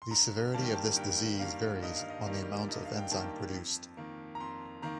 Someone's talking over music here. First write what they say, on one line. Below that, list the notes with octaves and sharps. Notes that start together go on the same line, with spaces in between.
The severity of this disease varies on the amount of enzyme produced.
C6
G2 A#5
D#3 G3 A#3 A5
G5
A5
G2 G5
D#3 G3 A#3 F5
G2 D#5
F5
D#5
D#3 G3 A#3 F5
D5
G2 D#5
F5
G5
D#3 G3 A#3 A5
F2
D#3 A#3
A#5
F2 C6
D#3 A#3 A#5